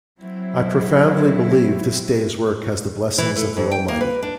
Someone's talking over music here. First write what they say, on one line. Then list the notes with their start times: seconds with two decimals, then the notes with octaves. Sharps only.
I profoundly believe this day's work has the blessings of the Almighty.
0.19 F#3 C4 E4
3.18 E3
3.36 A3
3.57 F2
3.71 G5
3.88 A#3
4.01 B4
4.22 D4